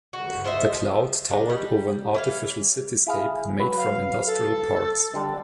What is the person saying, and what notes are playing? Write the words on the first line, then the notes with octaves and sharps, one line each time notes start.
The cloud towered over an artificial cityscape made from industrial parts.
F#4
F4 C5 D#5 E5
F3
C#3 D4 D#4
G3
E3 C#4 F5
E4 G#4 F5
F#3 B4
F5
A4
D3 G3 D4